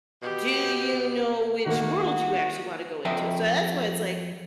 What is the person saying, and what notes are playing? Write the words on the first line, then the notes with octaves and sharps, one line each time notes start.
do you know which world you actually wanna go into, so that's why it's like,
B2 G4
D#3 A3 A#3 F#4
F2 D#5 E5 G5